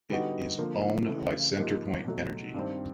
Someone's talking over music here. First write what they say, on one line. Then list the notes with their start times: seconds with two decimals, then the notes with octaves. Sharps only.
It is owned by CenterPoint Energy.
0.10 D3 G3 B3 D#4 F#4
0.58 D3 F3 A#3
1.07 C#3 E3 A3
1.56 G#2 F3 A#3 D#4 G4
2.05 B2 F#3 A3
2.54 G2 D#3 G3 C4